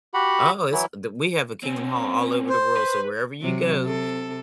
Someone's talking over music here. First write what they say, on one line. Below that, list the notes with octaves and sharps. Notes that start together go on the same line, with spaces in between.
Oh, it's the we have a Kingdom Hall all over the world, so wherever you go,
F#4 G4 F#5 B5
E3 F#3 E4
C4 C#4
C5
B4
C3 F#3
C3 A4